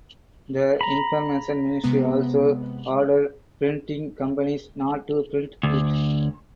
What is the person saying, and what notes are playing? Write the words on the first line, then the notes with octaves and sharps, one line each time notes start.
The information ministry also ordered printing companies not to print it.
A#5 B5
C3 G#3 B3
D2